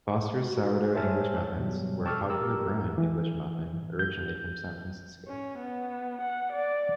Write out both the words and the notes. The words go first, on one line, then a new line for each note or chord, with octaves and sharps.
Foster's sourdough English muffins were a popular brand English muffin originally from San Francisco.
F#4
C5 C#5 E5 G#5 A5 F6
G2 B2 F#3 G3
G5 A5 C#6 D6 E6 F6
G4 A#4 A#5 D6 E6 F6
E3
G6
C#4
B3
F#5
D5